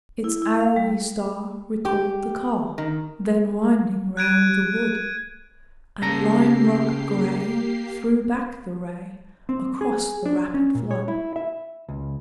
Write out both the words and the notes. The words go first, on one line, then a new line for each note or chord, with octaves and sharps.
Its arrowy star recalled the car Then winding round the wood, And lime-rock gray threw back the ray Across the rapid flood.
E4
E4
F5
G3
G4
D#3
F#6 G#6 D7 D#7
C#3 A#3 G4 A4 A#5 C7
C4
G#4
D4
C#4
A#2
C#5
E4
E5
C#2